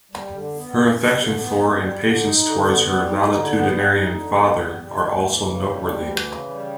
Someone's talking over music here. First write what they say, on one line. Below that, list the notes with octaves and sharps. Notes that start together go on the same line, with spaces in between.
Her affection for and patience towards her valetudinarian father are also noteworthy.
G3
D3
B3
F#2
G3
D3
B3
F#2
G3
D3
D#4
D3
B3
G3
D#4
D3
B3
G3
D#4
D3
B3
G3
G3
D2
E3
C#3
G3
D2
E3
C#3
G3